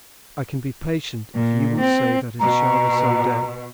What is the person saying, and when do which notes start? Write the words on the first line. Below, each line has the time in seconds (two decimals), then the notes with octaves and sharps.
I can be patient if you will say that it shall be some day.
1.34 A#2
1.80 C4
2.40 B2 A#5